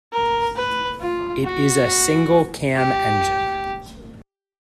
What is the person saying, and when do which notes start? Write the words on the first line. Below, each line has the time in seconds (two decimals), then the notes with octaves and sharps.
It is a single cam engine.
0.13 A#4
0.56 B4
1.01 F4
1.45 F#4
2.76 G4